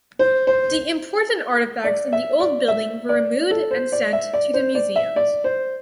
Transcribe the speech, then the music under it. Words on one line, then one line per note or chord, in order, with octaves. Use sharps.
The important artefacts in the old building were removed and sent to the museums.
C5
C5
D5
E5
D5
E5
D5
A4
C5
D5
E5
D5
C5
D5
E5
D5
C5